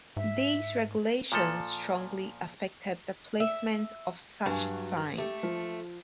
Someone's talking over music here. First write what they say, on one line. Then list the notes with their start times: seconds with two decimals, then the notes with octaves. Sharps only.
These regulations strongly affected the placement of such signs.
0.17 G#2 E5
1.32 A#2 F3 A4
3.40 E5
4.46 G2 F#3 G#5
5.18 A3 G4
5.43 F3